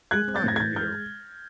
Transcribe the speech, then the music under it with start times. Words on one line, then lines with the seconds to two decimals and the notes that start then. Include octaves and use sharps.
"In private, you know."
0.11 G#3 F#6 G#6
0.28 C4
0.36 G6 A6
0.44 A2 G#6 A#6
0.56 G#6
0.60 E3 G6 A6
0.76 G#3 F6 G6